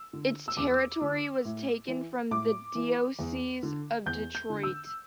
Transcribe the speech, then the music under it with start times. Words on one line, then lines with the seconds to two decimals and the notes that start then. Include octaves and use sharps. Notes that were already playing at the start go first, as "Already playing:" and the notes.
Its territory was taken from the Diocese of Detroit.
Already playing: E6
0.13 D3
0.48 E6
0.57 E2 D6
1.01 D3
1.45 A2
1.88 E3
2.31 A2 D6
2.75 E3
3.19 E2
3.63 D3
4.06 E2 G6
4.35 G6
4.50 D3
4.63 E6